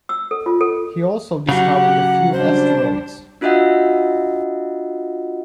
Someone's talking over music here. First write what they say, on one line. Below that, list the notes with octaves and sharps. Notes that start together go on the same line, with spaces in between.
He also discovered a few asteroids.
E6
A4
F4
A4
C#3 F#3 G4 F#5
G3 D4 C5
D4 F4 F#4 D#5 E5 F#5